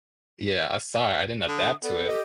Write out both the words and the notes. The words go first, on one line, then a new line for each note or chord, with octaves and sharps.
Yeah, I saw it, I didn't adapt to it.
D3 D#6
B3 A4 D5
G4 D#5